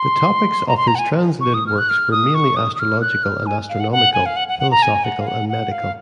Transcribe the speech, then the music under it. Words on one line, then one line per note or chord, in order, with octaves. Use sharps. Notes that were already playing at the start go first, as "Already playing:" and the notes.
The topics of his translated works were mainly astrological and astronomical, philosophical and medical.
Already playing: C6
A#5
C6
A#5
F#5
G#5
C#6
D#6
F6
F#6
F6
D#6
C#6
D#6
D#6
F6
F#6
F6
G#5
F5
F#5
F#5
G#5
F5
F#5
F#5
F#5
A#5
G#5
F#5
F5
F#5
F#5
F5